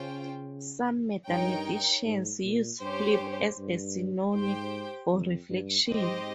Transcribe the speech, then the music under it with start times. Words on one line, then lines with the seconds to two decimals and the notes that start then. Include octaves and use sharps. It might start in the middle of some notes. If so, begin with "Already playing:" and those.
Some mathematicians use "flip" as a synonym for "reflection".
Already playing: C#3 C#4 F4 C5 G5
1.27 G2 D#4 A#4 C#5 G5
2.05 G#2
2.43 A#2
2.81 G2 C#4 G4 C5
3.19 G2
3.58 G2
4.34 G#2 G4 C5 G5
5.12 F2
5.50 G2
5.88 G#2 C4 G4 C5 D#5